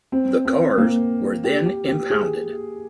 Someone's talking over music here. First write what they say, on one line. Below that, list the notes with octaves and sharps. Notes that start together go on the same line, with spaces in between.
The cars were then impounded.
C4
C4
A#3
G4
G4
G4
G#4